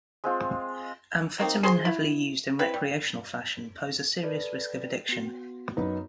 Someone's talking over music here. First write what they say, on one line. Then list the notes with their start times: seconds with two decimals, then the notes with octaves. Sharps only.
Amphetamine heavily used in recreational fashion pose a serious risk of addiction.
0.24 G#3 C4 F4
1.38 F#3 A#3 C4 D#4
1.63 G#4 C5 G#5 C6
1.85 E4
2.59 C4 E4 B4
2.74 G3
4.23 A4 B4 D5
5.09 B3 F#4
5.77 F#2 D#4 B4